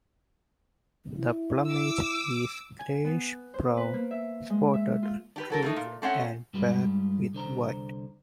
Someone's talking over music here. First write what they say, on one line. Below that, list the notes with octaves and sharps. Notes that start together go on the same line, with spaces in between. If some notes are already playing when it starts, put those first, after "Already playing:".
The plumage is greyish-brown, spotted, streaked and barred with white.
E4
D6 E6
G#5
B3
C5
B4
A#3
E5
G#3
E5
F4
D4 G4 B4
F#3 A4 A#4
A2 A3 D#4
A#2
A3 C4 C#4 F#5
G2 G3 G#3 F4 G4 B4
C2 D3 C5 A#5